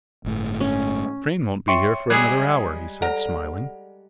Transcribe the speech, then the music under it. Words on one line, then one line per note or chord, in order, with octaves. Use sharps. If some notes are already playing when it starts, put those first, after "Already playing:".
"The train won't be here for another hour," he said, smiling.
G1 A2
C#4
C#5 E5 G5 C6 C#6 C#7
G3 G#3 G#4 F#6 G#6
A4 D5 F#5 A#5